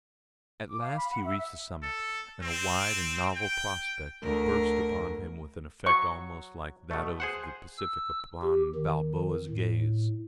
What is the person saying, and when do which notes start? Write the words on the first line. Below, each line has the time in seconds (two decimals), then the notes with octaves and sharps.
At last he reached the summit, and a wide and novel prospect burst upon him with an effect almost like that of the Pacific upon Balboa's gaze.
0.68 D6
0.81 F5
0.97 B5
1.11 F#5
1.25 E5
1.38 E5
1.82 A4
2.42 C4
3.36 G5
4.23 D2 A#4
5.86 F#3 C#6
6.91 B2 A3
7.20 G#4 C5 F#5
7.78 E6
8.42 G4
8.75 D#3
9.49 A2